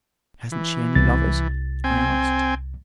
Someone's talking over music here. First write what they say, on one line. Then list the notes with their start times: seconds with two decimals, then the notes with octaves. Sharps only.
"Hasn't she any lovers?" I asked.
0.52 E3
0.95 C2 A6
1.84 C4 G5 G#5